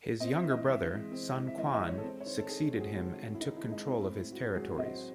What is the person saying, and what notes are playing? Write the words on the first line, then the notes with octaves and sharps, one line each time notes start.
His younger brother, Sun Quan, succeeded him and took control of his territories.
C4 D#5
E5
E3
D#5
E3 E5
G#3
C4
E3
E5
E3 D#5
D#5
G#3
C#5
A4
C4 C5
C#5
D#3 C5
A4
D#3 G#4
G#3 F#4
G#4
F#4
C4
D#3
E4
D#3 D#4
E4
G#3
D#4
C4 E4
E4
A2
E4
A2 F#4
F#3 G#4
C4 D#5
C5